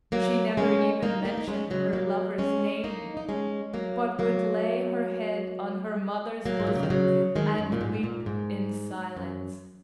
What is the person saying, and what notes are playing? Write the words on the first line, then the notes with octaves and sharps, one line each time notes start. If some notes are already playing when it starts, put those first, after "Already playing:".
She never even mentioned her lover's name, but would lay her head on her mother's bosom and weep in silence.
F#3 A#3
G#3 C#4
A#3 D#4
A#3 D#4
A#3
G#3 C#4
C#3 F#3
F#3 A#3
G#3 C#4
A#3 D#4
D#4
G#3 C#4
F#3 A#3
F#3 A#3
F#3 A#3
G#2
A#2
C#3
D#3
C#3 F#3
D#3 G#3
F#2
A#2
G#2
A#2
G#2
F#2